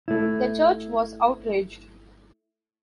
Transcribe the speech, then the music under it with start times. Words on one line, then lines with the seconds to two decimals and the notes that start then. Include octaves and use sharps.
The church was outraged.
0.08 A3 E4